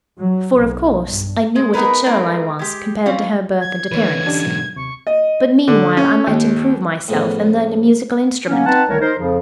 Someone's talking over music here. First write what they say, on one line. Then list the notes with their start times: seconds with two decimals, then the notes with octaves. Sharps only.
For, of course, I knew what a churl I was compared to her birth and appearance; but meanwhile I might improve myself and learn a musical instrument.
0.19 F#3
0.56 B1
1.05 G2
1.56 G#3
1.74 B3 D#4 G#4 A#4 B4
2.06 G#3 A3 C4 D#4 A#4 B4
2.59 G#3 G4
3.06 E3 C4 C#4 F4
3.60 G#6
3.92 D3 E3 B4 C#5
4.26 C#4 D4 G4
4.45 G#2 B2 F#3
4.76 D#2 C3 C#6
5.07 D#5
5.68 D3
5.97 C#4
6.27 D#2
7.08 A2 C#3 F3 B3
8.47 F#3 A#3 B3 C#4
8.66 C4 D#4 B4 F#5 A5
8.89 C2 D#3 A3 A#4 C#5
9.00 D#4 A#4 C5
9.18 F2 C#3 F3